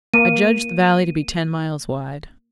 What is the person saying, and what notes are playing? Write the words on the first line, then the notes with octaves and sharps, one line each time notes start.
I judged the valley to be ten miles wide.
A#3 D#7